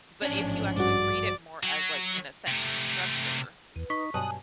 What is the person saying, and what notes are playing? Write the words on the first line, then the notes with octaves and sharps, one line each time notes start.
but if you actually read it more as, like, in a sentence structure
A1 G#2 F3 C#4 D4
G2 F#4 D5
F#3
C3 A3
E2 B4 D#7
D#4 C#6 B6
G2 B2 F#3 G#5 A5 D#6 F#6